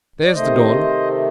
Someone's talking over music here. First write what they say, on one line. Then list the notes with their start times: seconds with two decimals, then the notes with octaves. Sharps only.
"There's the dawn."
0.25 D5
0.34 C3 D#3 A3 C5 D#5